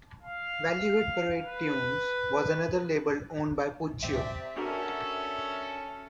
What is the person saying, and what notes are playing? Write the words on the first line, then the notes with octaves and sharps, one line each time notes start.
Value Hit Parade Tunes was another label owned by Puccio.
F5
B4
C4 G4 D5 E5
C#4 D4 F#4 A4 A#4